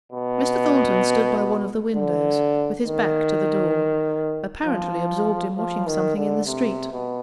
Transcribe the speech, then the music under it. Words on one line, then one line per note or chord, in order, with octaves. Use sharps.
Mr. Thornton stood by one of the windows, with his back to the door, apparently absorbed in watching something in the street.
B2
D3
D#3
F3
F3
D#3
D3
C3
B2